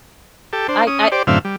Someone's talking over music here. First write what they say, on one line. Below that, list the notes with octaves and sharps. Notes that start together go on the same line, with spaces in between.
I I
G4 A4
D4 C5
C#4 D#6
G4 C5 D5
F#2 A2 D3 C4 E5 F5
G3